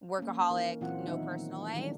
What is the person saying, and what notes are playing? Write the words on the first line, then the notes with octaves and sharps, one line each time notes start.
workaholic, no personal life?"
A#3 C#4
E3 A#3 D#4 A#4
A#2 E3 F#3 C4 F4 F#5
D#3 F#3 B3 D#4 E4 E5
D#3 E3 G3 G#3 D4